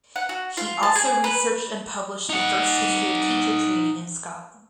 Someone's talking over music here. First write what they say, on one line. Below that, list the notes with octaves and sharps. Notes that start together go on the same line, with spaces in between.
He also researched and published the first history of teacher training in Scotland.
F#5
F#4
F4
A5
G#4
B4
D#4 F#5